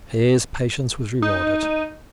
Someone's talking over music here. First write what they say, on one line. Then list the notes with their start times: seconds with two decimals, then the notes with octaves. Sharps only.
His patience was rewarded.
1.22 D#4